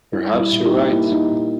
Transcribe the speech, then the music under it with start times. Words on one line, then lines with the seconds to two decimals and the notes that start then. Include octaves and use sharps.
Perhaps you're right.
0.13 G3 E4
0.34 G3
0.40 E4
0.52 A#2
0.66 D#4 G4
0.73 A#3
0.92 A#3 E4
1.12 A#3 D#4
1.32 A#2